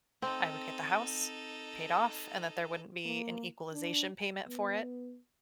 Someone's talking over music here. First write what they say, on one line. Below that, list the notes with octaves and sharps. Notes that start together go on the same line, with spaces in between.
I would get the house, paid off, and that there wouldn't be an equalization payment for it.
C4 D#4 A4
A#3
D4
B3